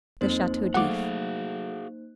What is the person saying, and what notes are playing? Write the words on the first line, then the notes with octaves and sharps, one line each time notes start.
The Chateau D'If.
F2 A#3 D#4 C5
F#3 A3 F#4 G#4 F5 F#5 D6 F#6